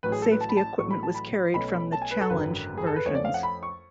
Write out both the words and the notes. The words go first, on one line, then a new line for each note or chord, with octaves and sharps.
Safety equipment was carried from the Challenge versions.
A1 A2 F#3 C#4 B4
G#4
A4
B4
A5
B5
A5
A1 A2 F#3 A3 C#6
B5
A5
B5
B1 B2 A3 C#4 B5
A5
G#5
B4
A4
G#1 F#2 D3 F#3 B4
G#4
A4
B4
F2 F3 A3 C#4 C#5
D5
F5
F#5
B5
C#6